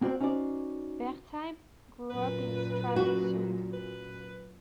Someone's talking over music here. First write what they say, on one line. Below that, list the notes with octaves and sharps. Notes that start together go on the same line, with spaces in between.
Wertheim grew up in Stralsund.
A#3 C4 F#4 C5 D5 G5
C#4 D#4 F#4 C5 D5
F#2 A#2 B4
F#4
B4